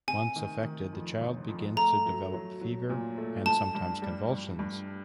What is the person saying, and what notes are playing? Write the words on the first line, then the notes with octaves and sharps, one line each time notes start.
Once affected, the child begins to develop fever, and sometimes convulsions.
C3 G#5
D#3
D#3
F2
G1
F2
A3 A#5
F#3
F#3
F#3
A#2
A3
G2 A5
G2
G3
G2
G2